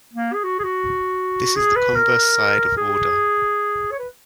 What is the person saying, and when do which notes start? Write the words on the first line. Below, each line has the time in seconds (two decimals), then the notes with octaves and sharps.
This is the converse side of order.
0.14 A#3
0.34 G#4
0.44 F#4
0.59 G#4
0.64 F#4
1.56 G#4
1.76 B4
1.96 A#4
2.77 G#4
3.91 C#5
3.99 B4